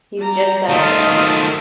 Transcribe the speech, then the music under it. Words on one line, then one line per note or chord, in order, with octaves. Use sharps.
He's just that good.
G3 A#5
D#3 A3 F4 D#5
F3 F#3